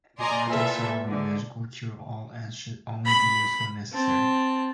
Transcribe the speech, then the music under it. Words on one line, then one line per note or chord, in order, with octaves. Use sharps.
Antibiotics are not a magical cure-all and should only be used when necessary.
D5 D#5 G#5 A#5 C6
A#2 E3 A4 E5
G#2 D3
B5
C4 A5